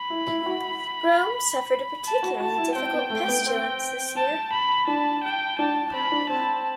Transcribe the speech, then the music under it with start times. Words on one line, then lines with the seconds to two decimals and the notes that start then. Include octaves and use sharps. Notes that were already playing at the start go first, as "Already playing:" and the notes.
Rome suffered a particularly difficult pestilence this year.
Already playing: B5
0.10 E4
0.27 E4
0.42 E4
0.46 F#4
2.05 A5
2.23 F#4
2.40 F#4 A5
2.58 E4
2.75 C4 G5
2.93 B3
3.10 A3
3.28 B3
3.46 C4
4.17 A5
4.52 B5
4.87 D4 A5
5.24 G5
5.58 D4 A5
5.93 C4 B5
6.12 D4
6.29 C4 A5